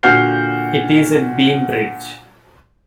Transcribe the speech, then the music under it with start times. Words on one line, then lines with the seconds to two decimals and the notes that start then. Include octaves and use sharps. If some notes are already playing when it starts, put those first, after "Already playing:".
It is a beam bridge.
0.03 A#2 D3 F#4 F6 G6 C7